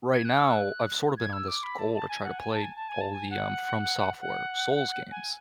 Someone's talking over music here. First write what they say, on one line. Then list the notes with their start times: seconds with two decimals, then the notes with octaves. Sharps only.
right now, I've sorta been on this goal to try to play all the, um, FromSoftware Souls games,
0.12 G#6
0.25 F#6
0.37 E6
0.50 F#6
1.17 G#6
1.33 E6
1.48 D6
1.63 B5
1.78 A5
1.94 A5
2.09 G#5
2.24 F#5
2.39 G#5
2.51 A5
2.63 G#5
2.76 A5
2.89 G#5
3.01 A5
3.14 G#5
3.30 F#5
4.21 F#5
5.11 G#5